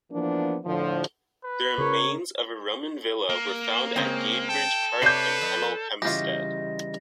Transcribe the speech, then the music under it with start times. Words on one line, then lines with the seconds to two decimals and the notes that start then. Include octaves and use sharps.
The remains of a Roman villa were found at Gadebridge Park in Hemel Hempstead.
0.11 E3 F3 A#3 B3 D4
0.65 A2 D3 F3
1.45 B4
1.78 C#3 A#4 C#5
3.30 A#3
3.96 C#3 G#3 C4 C#4
4.49 A4 G5
5.02 C3 B4 C#5 D5 G6 C7
5.41 F2
6.02 C#3 E3 G3 F4 G4 D#5 A#6